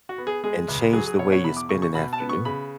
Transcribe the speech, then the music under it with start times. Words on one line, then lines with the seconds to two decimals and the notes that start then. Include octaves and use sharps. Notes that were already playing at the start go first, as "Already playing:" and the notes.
and change the way you spend an afternoon?
0.09 F#4
0.18 B3
0.27 G#4
0.44 G#3 G#4
0.68 C#2
0.93 F#3 G#4
1.06 G#4
1.19 B2 C#5
1.32 C#5
1.44 E2 B5
1.57 D6
1.69 C#3 C#6
1.82 C#6
1.95 B2 B5
2.13 A5
2.20 B3
2.29 C#6
2.45 C#3 B5